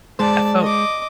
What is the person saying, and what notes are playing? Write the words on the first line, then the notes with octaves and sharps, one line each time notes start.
I felt
G#3 C5 D5 A5
D#5 D6